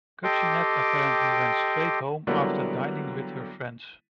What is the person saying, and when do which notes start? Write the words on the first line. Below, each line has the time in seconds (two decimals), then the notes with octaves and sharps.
Kupcinet apparently went straight home after dining with her friends.
0.24 G4 A4 D#5 G5 C6 D6
2.27 D3 F#3 G3 A#3 B3 E4